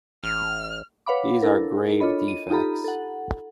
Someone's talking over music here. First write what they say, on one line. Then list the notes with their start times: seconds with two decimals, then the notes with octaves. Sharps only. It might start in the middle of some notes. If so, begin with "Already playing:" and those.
These are grave defects.
0.24 A1 F6
1.06 B4 C#5 F5 F#5 B5 D6
1.42 D4 E4 A4 A#4
2.00 D4 F4 A4 C#5 D#5 B5
2.28 D#7
2.50 D#4 F4 G4 A4 A#5 B5
2.84 A4 F#5